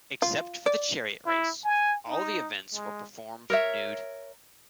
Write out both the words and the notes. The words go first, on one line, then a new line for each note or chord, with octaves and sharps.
Except for the chariot race, all the events were performed nude.
F4
D5
E4
G#5
D#4
G#3
A#4 C#5 E5